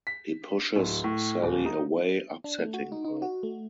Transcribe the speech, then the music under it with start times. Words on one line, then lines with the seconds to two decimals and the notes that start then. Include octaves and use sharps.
He pushes Sally away, upsetting her.
0.07 B6
0.76 D1
1.04 A2
1.43 D#1
1.66 D#4
2.44 D4
2.59 A3
2.74 F#4
2.92 D#4
3.05 D#4
3.22 F#4
3.43 A3